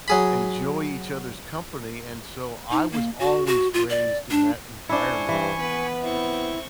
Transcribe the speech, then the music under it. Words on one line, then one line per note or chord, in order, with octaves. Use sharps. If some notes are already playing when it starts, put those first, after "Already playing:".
enjoy each other's company, and, so, I was always raised in that environment
F#3 G#4 B5
D#4
A#3
F#4
F#4
F4
D5
D4
D4 E4 C5 G#5 C#6
G2 E3 C5
B3 B4
C4 E4 C#6